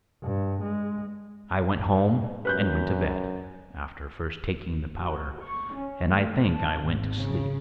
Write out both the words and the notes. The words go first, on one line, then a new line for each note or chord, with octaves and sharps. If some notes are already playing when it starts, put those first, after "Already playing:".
I went home and went to bed, after first taking the powder, and I think I went to sleep.
G2
G#3
F#2 B4 F#6 G6
F#4
C#6
C#4
A3
A5
G#1
C#3